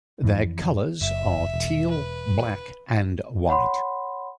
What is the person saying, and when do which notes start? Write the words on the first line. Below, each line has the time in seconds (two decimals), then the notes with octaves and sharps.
Their colours are teal, black and white.
0.24 F2 E3
1.01 F#1 E5
1.54 E1
1.91 B4
3.49 C#5 F#5 B5 C6